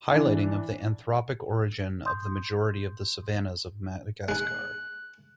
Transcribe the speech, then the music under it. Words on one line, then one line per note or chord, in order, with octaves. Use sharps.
Highlighting of the anthropic origin of the majority of the savannas of Madagascar.
E3 D4
C6 D#6 G6
G#3 D#4 F#6